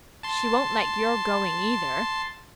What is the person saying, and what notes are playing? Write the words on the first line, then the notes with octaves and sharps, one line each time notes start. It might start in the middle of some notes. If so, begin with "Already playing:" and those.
"She won't like your going, either."
A5 C6